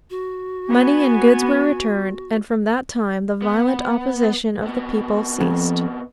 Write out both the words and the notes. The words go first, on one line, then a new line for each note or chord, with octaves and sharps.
Money and goods were returned, and from that time the violent opposition of the people ceased.
F#4
B3 G#5
B3
C3 B3
F2